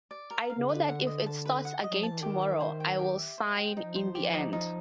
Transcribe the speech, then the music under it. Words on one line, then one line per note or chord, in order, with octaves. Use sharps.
I know that if it starts again tomorrow, I will sign in the end.
D5
A#4
F5
C#3
D3 B4
F#5
D#5
A5
B4
F#5
D#5
F#3
F3 A5
E3
D#3 G4
E5
C5
G5
G4
E5
C5
G5
F3 D#4
C5
G4
D#4
D#4